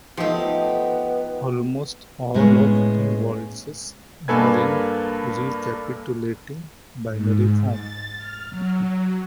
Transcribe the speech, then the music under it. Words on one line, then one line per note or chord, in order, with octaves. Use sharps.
Almost all of the waltzes are in a recapitulating binary form.
F3 A3 B3 D#4 G4
A2 G#3 B3 C#4
G2 A#3 A4 B4 G#5 G#6
G#2
A6
F6
F#3